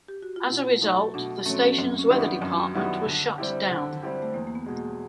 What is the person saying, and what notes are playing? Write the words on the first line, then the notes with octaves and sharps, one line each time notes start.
As a result, the station's weather department was shut down.
G4
F#4
F4
B2 E4
F#3 A3 D#4
B2 D4
F#3 A3 C#4
C4
C#4
F#2 C4
C#4
D#3 G3 B3 E4
D4
F#2 C#4
D#3 G3 B3 E4
D3
G3 C4 E4 G4
D3
G3 C4 E4 G4
A3
E2 A#3
A#3
B3
B2 G#3
A#3